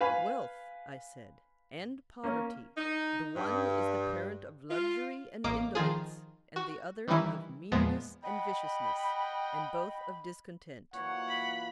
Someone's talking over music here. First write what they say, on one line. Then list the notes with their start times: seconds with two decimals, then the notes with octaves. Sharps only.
Wealth, I said, and poverty; the one is the parent of luxury and indolence, and the other of meanness and viciousness, and both of discontent.
0.01 B4 F5 G#5 B5
2.24 A#3 C#4
2.77 D#4
3.36 G2
4.70 F4
5.44 A1 A#3 D#5 A#5 D6
5.75 D#3 F3 F4 G#4
6.56 F#4
7.08 D#3 E3 G3 C#4 D#4 E4
7.72 E2 A#2 F3 G#3 B3
8.24 D#5 F#5 G5 B5
10.94 A#2 E3 F#3 C#5 F#5
11.28 B5